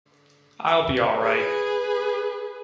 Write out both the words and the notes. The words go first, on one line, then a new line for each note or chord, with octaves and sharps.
I'll be alright.
G#4 B4